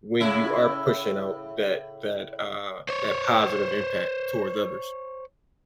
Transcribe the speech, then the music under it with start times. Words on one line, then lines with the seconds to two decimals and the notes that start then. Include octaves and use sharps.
when you are pushing out that that, uh, that positive impact towards others.
0.20 A2 C#3 E4
2.89 C5 C#5